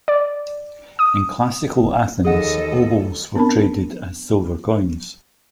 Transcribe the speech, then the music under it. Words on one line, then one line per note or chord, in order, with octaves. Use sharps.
In Classical Athens, obols were traded as silver coins.
D5
D#6
D#2 G#4 A4 D#5 F#5
B3 C4 D4 A#4 A5 B5